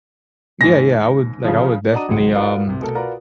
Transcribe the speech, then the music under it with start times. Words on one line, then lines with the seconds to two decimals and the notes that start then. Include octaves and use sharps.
Yeah, yeah, I would, like, I would definitely, um,
0.61 D#2 G#2 A#6
1.44 C#3 F3
1.93 D4 F#4 D#5 A#5 D#6 D#7
2.09 G#1 C#2 F#3 G#3 F#5 C#7
2.35 F4 F#4 A#4 B4 D5 F5
2.67 C2 C3
2.81 B2 A3 A4 A#4
2.95 F4 F#4 A#4 B4 D5 A#5